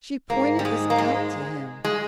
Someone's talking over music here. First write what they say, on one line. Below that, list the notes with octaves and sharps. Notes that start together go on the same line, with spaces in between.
She pointed this out to him.
G#2 A#3
G3
G#3
A#3
G#3
G#3